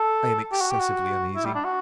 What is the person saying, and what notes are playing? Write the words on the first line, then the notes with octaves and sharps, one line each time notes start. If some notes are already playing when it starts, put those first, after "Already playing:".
I am excessively uneasy.
Already playing: A4
G4
F#4
G4
F#4
E4
G3
D4
F#4